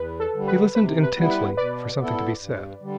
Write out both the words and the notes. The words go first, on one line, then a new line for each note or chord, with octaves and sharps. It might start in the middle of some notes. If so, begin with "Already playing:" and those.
He listened intently for something to be said.
Already playing: E2 B4
A4
D3 G3
B4
C3 B4
B4
G3 B3 E4
B4
B2 B4 D5
B3 E4 A4
G2
D3 G3